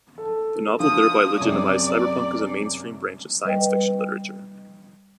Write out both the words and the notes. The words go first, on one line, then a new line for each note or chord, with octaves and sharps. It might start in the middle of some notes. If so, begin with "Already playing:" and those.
The novel thereby legitimized cyberpunk as a mainstream branch of science fiction literature.
A4
F3 D#6
F#2 C3 D5
G3 B4 D#5 G5